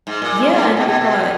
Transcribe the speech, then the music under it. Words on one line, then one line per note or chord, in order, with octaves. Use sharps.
Yeah, and I thought
G#2
A#2
G#2
G#2
A#2
B2
B2
B2
A#2